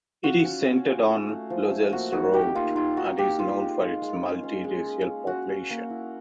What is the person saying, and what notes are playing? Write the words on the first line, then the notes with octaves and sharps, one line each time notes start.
It is centred on Lozells Road, and is known for its multi-racial population.
F4 F#4
C#4
C#4
F4
A3
A3
F3
A3
A#3 F#4
D#4 F#4
D#4 G4
A#3 F4
D#4 F4
D#4 F#4
A#3 G4
D#4 F4
G#3
G#3
G#3
C#4
C#4
G#3
G#3
C#4
C#4 F#4
C#4
A#3
E4